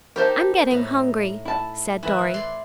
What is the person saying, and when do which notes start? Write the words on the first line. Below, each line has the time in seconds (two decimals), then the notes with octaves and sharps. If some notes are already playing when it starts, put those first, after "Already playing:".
"I'm getting hungry," said Dorry.
0.16 D#4 G4 A#4 C5 A5
0.71 A2
1.45 E4 A5
2.03 E3 E4 B4
2.34 D5 C6